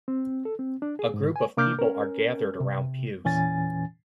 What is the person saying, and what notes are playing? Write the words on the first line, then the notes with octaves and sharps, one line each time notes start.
A group of people are gathered around pews.
C4
A4
C4
D4
G#4
G#2
G#5
C3 A#3 D4 D6 F6 G6
C#4 A#4
C3
E2 A#2 E3 C#4 G#5 A6